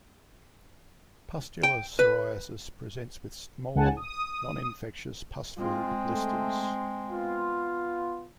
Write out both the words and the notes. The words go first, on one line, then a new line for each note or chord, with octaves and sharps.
Pustular psoriasis presents with small non-infectious pus-filled blisters.
G5
B4
C#2 C#3 F#5 G#5 A5
D#6
G#3 C4 F4
A3
B3 F4